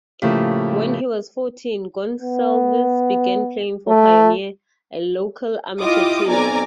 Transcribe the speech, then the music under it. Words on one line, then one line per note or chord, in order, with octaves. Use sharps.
When he was fourteen, Gonsalves began playing for Pioneer, a local amateur team.
A2 C#3 F3 A3 A#3 G4
B3
A3
E4 F4 G4 D#5 D6 D#6
B1 C4 D5 G#5 A#5 D6